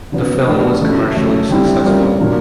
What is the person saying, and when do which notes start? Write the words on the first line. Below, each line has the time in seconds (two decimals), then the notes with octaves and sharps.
The film was commercially successful.
0.12 C#3 F#3 B3
0.47 F3 A3 D4 G4 A#4
0.81 C#3 F#3 A3
1.15 C#3 F#3 A3 C#4
1.50 D3 G3 C4 E4 G4
1.84 G3 A#3 C#4 F4
2.19 A#2 F#3 A#3 D4